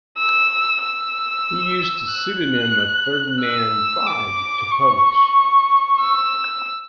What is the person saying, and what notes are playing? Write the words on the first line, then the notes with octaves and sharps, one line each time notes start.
He used his pseudonym of "Ferdinand Fried" to publish.
E6
E6
F#6
E6
D6
C#6
E6